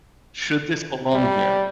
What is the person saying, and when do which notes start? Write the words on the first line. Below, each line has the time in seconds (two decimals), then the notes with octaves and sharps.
"Should this belong here?"
1.14 G3